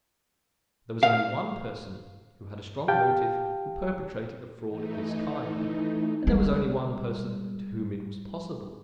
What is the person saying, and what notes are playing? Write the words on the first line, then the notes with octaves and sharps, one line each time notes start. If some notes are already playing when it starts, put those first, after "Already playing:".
There was only one person who had a strong motive for perpetrating a fraud of this kind, and there was only one person to whom it was possible.
F5
G4 F5 G5 A5
E3 A3 D#4
G3 G#3